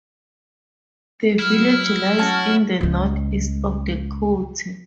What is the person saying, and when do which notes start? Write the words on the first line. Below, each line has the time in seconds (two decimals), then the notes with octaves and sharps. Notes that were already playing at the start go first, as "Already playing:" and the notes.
The village lies in the north east of the county.
1.39 F#3 E4 F6
2.19 C#4 F#4 A5
2.81 C#2 G#3